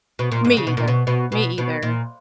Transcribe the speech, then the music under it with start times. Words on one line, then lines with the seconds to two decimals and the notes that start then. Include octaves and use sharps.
Me either. Me either.
0.19 B2
0.32 A#2
0.45 G#2
0.57 C#3
0.67 B2
0.77 A#2
0.88 B2
1.07 B2
1.32 B2
1.58 B2
1.83 A#2